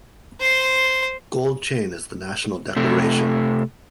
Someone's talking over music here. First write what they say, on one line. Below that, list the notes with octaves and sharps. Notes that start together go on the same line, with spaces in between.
Gold chain is the national decoration.
C5 C6
C3 A3